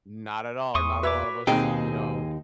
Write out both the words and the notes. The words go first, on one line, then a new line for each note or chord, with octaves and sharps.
Not at all. Not a lot of us, you know,
E2 C6 C#6 D#6
F#4 B4 C#5 E5 D6
D#2 B2 C4 D#4 G#4 F5 G5 G#5